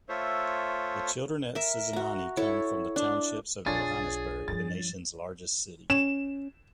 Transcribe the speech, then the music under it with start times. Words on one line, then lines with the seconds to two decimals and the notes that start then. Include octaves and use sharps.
The children at Sizanani come from the townships of Johannesburg, the nation's largest city.
0.09 A3 F4 A4 C5 C#5 E5
1.55 A#4 E5
1.93 F#4 A#5
2.37 E4 A4 C#5
2.96 D4
3.67 B1 F#3 D4 F4 G#4 C#5 A6
4.48 G2 F3 A6
5.90 C#4 E7